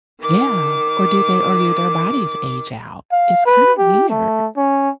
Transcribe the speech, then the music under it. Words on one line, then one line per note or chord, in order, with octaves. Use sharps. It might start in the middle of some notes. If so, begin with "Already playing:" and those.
Yeah. Or did they or did their bodies age out? It's kinda weird.
D#3 D6
F5
B4
G4
A3
C#4